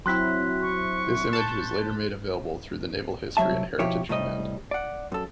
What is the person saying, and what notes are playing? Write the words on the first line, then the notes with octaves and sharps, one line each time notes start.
This image was later made available through the Naval History and Heritage Command.
F#3 C4 E4 C6 F#6 B6
C#6
A5 G6
C2 E3 F#3 E5 A5
B2 F3 E4 G4 C#5
A2 C3 G3 D#5
D5 F#5
F#2 A4